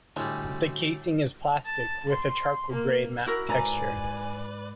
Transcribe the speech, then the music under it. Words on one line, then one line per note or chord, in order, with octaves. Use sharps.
The casing is plastic, with a charcoal-gray matte texture.
A2 D3 G3 G#3 F#4
A5
C6
A#3
E4 F#4 A#4 F#6
G#2 B4 D5 G#5 A#5